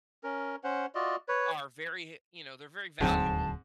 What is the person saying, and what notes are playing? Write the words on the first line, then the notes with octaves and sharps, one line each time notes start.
mm are very he you know, they're very valuable.
C#4 A#4
C#4 C5 F#5
F4 F#4 D5 D#5
B4 C#5
D#1 D2 G#2 F#3 C4 A5